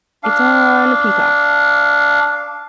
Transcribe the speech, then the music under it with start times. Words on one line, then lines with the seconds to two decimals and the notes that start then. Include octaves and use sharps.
It's on Peacock,
0.23 D4 F5